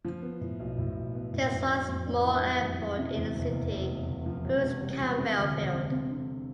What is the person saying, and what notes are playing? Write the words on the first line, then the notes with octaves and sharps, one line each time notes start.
There is one small airport in the city, Bruce Campbell Field.
F3
B3
A2
B1
A2
B1
B3
A2
F2
D4
F2
D4
E3
G3
F2
E3
C3
E2
F1
E2
F1
F1
F1
F3
E1
C3
G3
E1
C3
D2
E1
C3
C4
D3